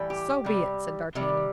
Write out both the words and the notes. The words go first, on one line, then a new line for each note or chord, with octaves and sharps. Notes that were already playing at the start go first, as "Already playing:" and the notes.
"So be it," said d'Artagnan.
Already playing: A2 E3 G3
G4
C3 G3
C3 G3